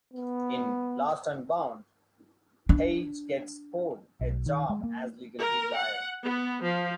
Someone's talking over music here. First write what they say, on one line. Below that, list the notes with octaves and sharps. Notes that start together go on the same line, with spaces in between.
In "Lost and Bound", Paige gets Cole a job as a legal aid lawyer.
B3
D4
B1
D#3
G#3
A#3
A#4
F#5
B3
F3